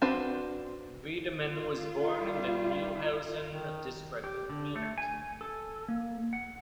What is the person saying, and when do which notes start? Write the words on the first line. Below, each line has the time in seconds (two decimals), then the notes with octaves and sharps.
Wiedemann was born in the Neuhausen district of Munich.
0.02 C4 D4 F#4 B4 C5
1.51 F4
2.17 G3
3.47 D#3
4.24 G4
4.50 D3
4.76 A3
4.98 G#5
5.41 A4
5.88 A#3
6.33 F#5